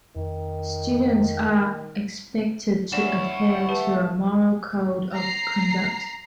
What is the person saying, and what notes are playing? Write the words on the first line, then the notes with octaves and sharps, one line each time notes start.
Students are expected to adhere to a Moral Code of Conduct.
F2 D#3
C#4 D4 E4 C#5 D5 E5 F#5 E7
A3 G4 B4
A#5 C7